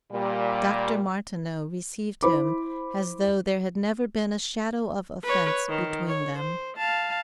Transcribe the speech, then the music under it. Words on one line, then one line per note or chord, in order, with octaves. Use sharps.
Dr. Martineau received him as though there had never been a shadow of offence between them.
A#2 G3
E4 C5 B5 D6
B4 C#5
D#3
C#5
C5
F5 A5